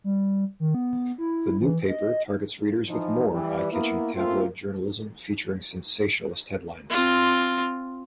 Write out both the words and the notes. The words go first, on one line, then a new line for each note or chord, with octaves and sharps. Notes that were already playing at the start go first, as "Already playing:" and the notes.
"The New Paper" targets readers with more eye-catching tabloid journalism featuring sensationalist headlines.
G3
D#3
B3
E4
E3
D#5
E3 F3 D#4
E3 G3
A#3 B3 E4
F#2 A3 A#3 C4 F4
C4 F4